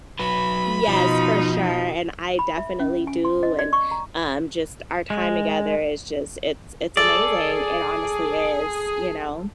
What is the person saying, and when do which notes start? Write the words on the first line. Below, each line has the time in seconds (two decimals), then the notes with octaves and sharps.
yes, for sure, and I definitely do, and, um, just our time together is just it's it's amazing, it honestly is, you know?
0.19 F#3 B4 B5
0.88 B2 F3 D#4
2.39 B5
2.57 E5
2.80 C#4
3.07 G#5
3.25 C6
3.43 D#5
3.59 D5
3.73 C#6
3.91 A#5
5.10 G#3
6.97 G#4 A4 D5